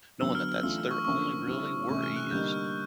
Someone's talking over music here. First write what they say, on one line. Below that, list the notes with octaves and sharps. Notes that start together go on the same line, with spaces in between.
knowing that that's their only really worry is
D3 F#3 B3 E6
F6
F6
E3 A3 D4 F4 E6
C#6
D3 F3 A#3 C#4 C#6
D3 G3 C4 E4
C3 E3 A3 C#4 C#6
F6
F#6
D3 G3 A#3 D#4 G6
F6